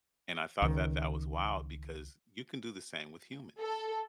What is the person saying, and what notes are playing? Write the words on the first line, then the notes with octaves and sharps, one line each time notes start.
and I thought that that was wild, because you can do the same with humans,
C#2 D#3
A4